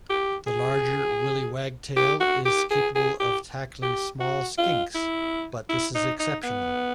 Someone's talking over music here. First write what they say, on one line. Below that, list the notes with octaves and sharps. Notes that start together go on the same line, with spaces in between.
The larger willie wagtail is capable of tackling small skinks, but this is exceptional.
G4
G#4
G4
F#4
G4
G#4
G#4
G4
G4
F#4
F4
E4
E4
D#4
D#4
B3